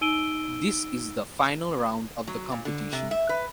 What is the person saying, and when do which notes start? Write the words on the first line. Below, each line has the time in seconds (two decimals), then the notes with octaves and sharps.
This is the final round of the competition.
0.01 D#4 E6 D7 D#7 G7
2.27 F#3
2.52 A#2
2.65 D3
2.93 C3
3.11 E5
3.29 B4